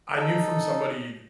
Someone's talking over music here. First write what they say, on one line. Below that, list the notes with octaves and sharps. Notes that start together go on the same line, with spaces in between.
I knew from somebody,
D#4 A4